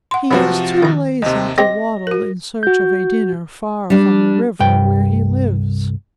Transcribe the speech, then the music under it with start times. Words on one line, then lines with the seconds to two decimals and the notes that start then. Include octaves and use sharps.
He is too lazy to waddle in search of a dinner far from the river where he lives.
0.11 F#5 C6
0.31 F#2 C3 F3 B3 F#4
0.83 D#3 A#5
1.22 D#2 C3 D#5
1.58 C4 G4 D#5 A#6
2.07 F#4 A#4
2.63 F#4 G6
3.90 G3 D4
4.60 C2 G2 G5